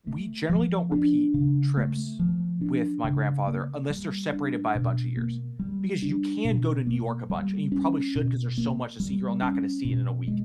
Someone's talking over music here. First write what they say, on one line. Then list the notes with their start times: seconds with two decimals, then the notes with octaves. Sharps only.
we generally don't repeat trips with my grandfather unless they're separated by a bunch of years because you can go to New York a bunch and you probably should 'cause there's so much to see, you're all not gonna see it in a week
0.07 A3
0.49 F3
0.92 D4
1.34 C#3
1.77 A3
2.19 F3
2.61 D4
3.04 C#3
3.47 A#3
3.90 G3
4.32 D4
4.75 B2
5.17 A#3
5.59 G3
6.02 D4
6.45 B2
6.87 A#3
7.30 G3
7.72 C#4
8.15 B2
8.58 A#3
9.00 G3
9.42 C#4
9.85 B2
10.28 G#3